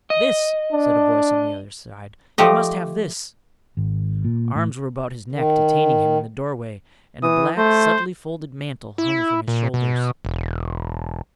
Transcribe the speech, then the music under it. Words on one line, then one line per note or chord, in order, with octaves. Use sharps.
"This," said a voice on the other side, "he must have this." Arms were about his neck detaining him in the doorway, and a black subtly-folding mantle hung from his shoulders.
D#5
D4
F3 A3 G4 D#5
G#1
A#2
A2
D#3
E3 D#6
A3 C5
E4
A#2
B2
E1